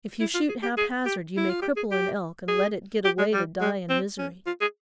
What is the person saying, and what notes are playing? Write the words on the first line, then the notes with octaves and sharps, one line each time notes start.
If you shoot haphazard you may cripple an elk and let it get away to die in misery.
E4
F4
G#4
G4
G#4
G4
E4
F4
G4
G#4
G4
G#4
G4
G#3
G3
G#3
C4
C#4
F4
G#4